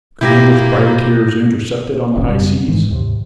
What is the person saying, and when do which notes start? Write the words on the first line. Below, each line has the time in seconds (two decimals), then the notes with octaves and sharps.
Could English privateers intercept it on the high seas?
0.21 B2 A#3 E4 F4 G4 G6 A#6
2.17 E1 A#1 D3 C#4
2.29 F#2 C#3 G3
2.68 G#2 E3 G#3
2.91 D#2 G#2 C3